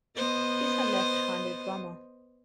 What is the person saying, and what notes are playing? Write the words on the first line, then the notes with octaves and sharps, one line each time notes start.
He is a left-handed drummer.
B3 C5 D#5